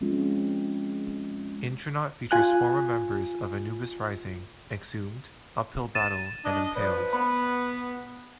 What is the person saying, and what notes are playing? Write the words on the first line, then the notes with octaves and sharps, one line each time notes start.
Intronaut features former members of Anubis Rising, Exhumed, Uphill Battle, and Impaled.
F3 G#3 C4 C#4 F4
F4 G#5 F#6
A6 D#7 E7
D4 D#5
F3 B4 D5
B3 B5